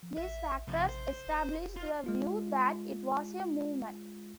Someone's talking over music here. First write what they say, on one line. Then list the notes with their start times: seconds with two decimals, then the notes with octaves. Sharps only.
These factors established the view that it was a "movement".
0.03 F3
0.18 A1 E5
0.68 A1 C3 F3
0.89 C5
1.27 F1
1.77 F4
2.06 G#3 F4